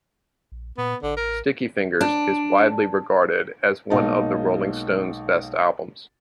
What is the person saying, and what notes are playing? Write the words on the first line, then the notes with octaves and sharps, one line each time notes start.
"Sticky Fingers" is widely regarded as one of the Rolling Stones' best albums.
A#1
A#2 B3
A1 D3
A#4
D4
B1 G#3 A#3 D#4 F5 A5